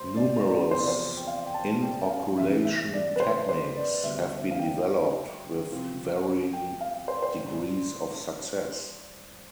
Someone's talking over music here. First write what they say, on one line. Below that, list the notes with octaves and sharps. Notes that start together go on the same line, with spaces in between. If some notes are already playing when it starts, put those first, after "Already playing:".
Numerous inoculation techniques have been developed, with varying degrees of success.
Already playing: D2 C5
D5
D5
E2 C3 F3 C4 C5
D5
C5
G5
F5
G5
A5
G5
F5
E2 C3 E3 E5
E5
D5
B4
C5
C5
D5
D2 D3 G3 B3 D4 E5
E5
F5
G5
C3 F3 C4
G5
F5
C5
D5
C5
A2 G3 D4